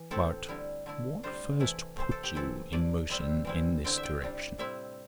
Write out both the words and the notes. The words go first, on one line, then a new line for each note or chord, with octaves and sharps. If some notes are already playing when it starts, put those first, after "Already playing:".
"But what first put you in motion in this direction?"
Already playing: E3
A2 A3 C4 E4 A4
D3 G3 E4
D3 A3 E4
C3 G3 D4 C5
C3 E3 A3 E4
C3 A3 C4 C5
A4
G4
E3 C4 E4 A4
C3 A3 E4 D5
C3 G3 C4 E4 E5
E3 G3 C4 E4
D3 C4 E4 G5
E5
G5
C3 G3 D4
A2 G3 C4 E4 E5